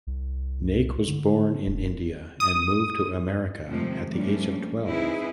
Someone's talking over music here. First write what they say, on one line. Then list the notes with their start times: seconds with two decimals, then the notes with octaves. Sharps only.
Naik was born in India and moved to America at the age of twelve.
0.07 C2
1.08 D3
1.66 E1
2.40 D#6
3.69 C3 D#3 F3 G#3 A3 C4
4.11 F3 G3 A3 A#3 C#4 D4
4.86 C4 D#4 E4 G#4 B4